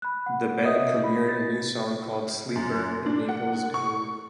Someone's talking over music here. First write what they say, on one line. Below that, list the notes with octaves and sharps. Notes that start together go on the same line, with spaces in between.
The band premiered a new song called "Sleeper" in Naples, Italy.
B5 F#6
F#5
C#5 D#5 E5 D#6
B5
A6
F#2
D4
F#5
C#6